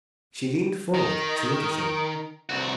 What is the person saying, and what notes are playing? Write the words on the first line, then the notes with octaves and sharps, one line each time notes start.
She leaned forward to look at him.
D#3
C2 F#4